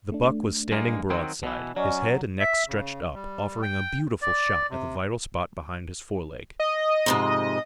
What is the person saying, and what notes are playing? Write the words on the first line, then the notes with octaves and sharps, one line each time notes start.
The buck was standing broadside, his head and neck stretched up, offering a beautiful shot at the vital spot behind his fore leg.
A3 D4
G2 G#3 A#3
D#3 F#3 C4
B2 E3
F#3 C#4 D5 D#5
E5
C#3
G3
G5
D5
C3
D#5
F2 G#2 C3